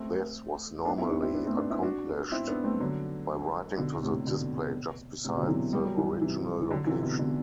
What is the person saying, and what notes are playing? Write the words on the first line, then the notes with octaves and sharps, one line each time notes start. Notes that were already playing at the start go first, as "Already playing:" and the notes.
This was normally accomplished by writing to the display just beside the original location.
Already playing: A3 C4
B3 D4
C4 E4
B3 D4
C4 E4
B3 D4
A3 C4
B3 D4
C4 E4
D4 F#4
C4 E4
B3 D4
A3 C4
G3
D3 F#3
B2 D3
A2 C3
B2 D3
A2 C3
B2 D3
F#3
C3 E3
G3
F#3
E3 G3
C3 E3
E3
D3 F#3
C3 E3
B2 D3
B2 D3